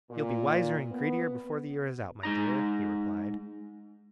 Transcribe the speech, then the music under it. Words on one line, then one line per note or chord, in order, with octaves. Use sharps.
"You'll be wiser and greedier before the year is out, my dear," he replied.
A#2
B3
G#3 D#4 A#5